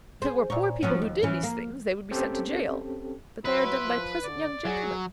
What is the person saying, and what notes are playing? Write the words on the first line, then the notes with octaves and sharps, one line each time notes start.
If it were poor people who did these things, they would be sent to jail; but they are done by pleasant young gentlemen.
G#4 C5
A#2 C#5
F3 F#3 C#4
D#2
E3 C#4
A#3
C4 C#4 G4 A4
F#3 E4 B4 C6
F3
D3 D5
F#3 G#4